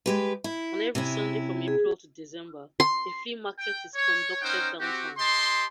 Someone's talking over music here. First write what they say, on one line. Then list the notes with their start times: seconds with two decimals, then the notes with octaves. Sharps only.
On every Sunday from April to December, a flea market is conducted downtown.
0.06 G#3 G4 B4
0.44 E4
0.95 C3 C#4 E4
1.68 G#4
2.80 C6
3.59 G5
3.95 C#5
4.42 C#4 D#4 A#4 C5 F#5 G5
4.80 C4 F#4 G4
5.17 G4 D#5 A5 C6